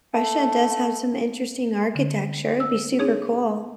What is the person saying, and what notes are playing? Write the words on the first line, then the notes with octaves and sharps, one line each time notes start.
Russia does have some interesting architecture, it'd be super cool.
A3
D3
E6
C4 D4 D#4 G#4 C#5